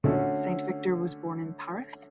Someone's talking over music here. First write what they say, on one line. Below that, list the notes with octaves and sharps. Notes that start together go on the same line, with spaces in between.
Saint-Victor was born in Paris.
D3 A3 C#4 F#4 A4